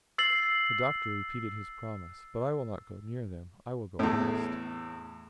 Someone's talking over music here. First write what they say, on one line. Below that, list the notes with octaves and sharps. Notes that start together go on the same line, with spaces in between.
The Doctor repeated his promise, "But I will not go near them; I will go west."
E6 A6 C7 F#7
E2 A2